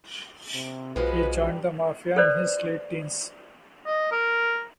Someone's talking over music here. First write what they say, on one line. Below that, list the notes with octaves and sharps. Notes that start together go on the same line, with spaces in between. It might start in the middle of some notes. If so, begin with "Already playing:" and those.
He joined the Mafia in his late teens.
C3
B1 F3 G#3 F#4 B4
G2 G3
A4 B4 C5 D5
D#5
A#4